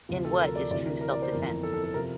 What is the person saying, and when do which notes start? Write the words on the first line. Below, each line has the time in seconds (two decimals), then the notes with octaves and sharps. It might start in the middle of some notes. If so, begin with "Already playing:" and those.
In What is True Self Defense?
0.09 D2 C3 F3
0.25 A4
0.40 A#4
0.56 D5
0.71 D2 C3 E3 D5
0.86 A#4
1.01 A#4
1.12 D5
1.22 C5
1.32 G1 F2 E3 A#4
1.63 A4
1.74 A4
1.84 A4
1.94 C3 F3 A#4